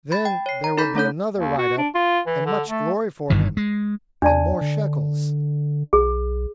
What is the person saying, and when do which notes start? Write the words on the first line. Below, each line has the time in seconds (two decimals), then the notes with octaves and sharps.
Then there would be another write-up and much glory for him and more shekels.
0.12 B5 A6
0.25 G5
0.46 C#5 C7
0.64 A#5
0.78 D#4 A4 B5 G6 B6
0.95 A3 C#4 C#5 G6
1.37 D#2
1.58 F#4
1.78 D4
1.94 F4
2.27 E3
2.46 D3
2.68 A3
3.30 G1 G2 D#3 E3
3.57 G#3
4.22 E2 D4 D5 A5
4.61 D3
5.93 B1 G#4